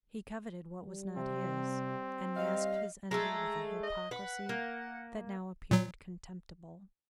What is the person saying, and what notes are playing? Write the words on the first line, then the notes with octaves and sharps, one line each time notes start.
He coveted what was not his, and masked his envy with a hypocrisy that now appeared contemptible.
G3
C3 C4
G3 D#5 F5
G#3 A3 A4 A#5
D#5
B4 F#5
A#3
A#2 F#3